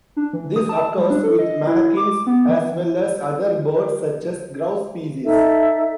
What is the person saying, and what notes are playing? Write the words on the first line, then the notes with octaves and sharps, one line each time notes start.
This occurs with manakins, as well as other birds such as grouse species.
D4
E3
D#6
A5
G3
D4
A4
D#5
E4
D6
B3
E3
D#4 A4 E5